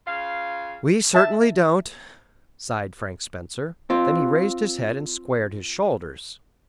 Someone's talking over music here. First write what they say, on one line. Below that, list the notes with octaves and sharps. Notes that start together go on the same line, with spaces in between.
"We certainly don't," sighed Frank Spencer; then he raised his head and squared his shoulders.
C#3 F4 F5
E5 A5
C4 F4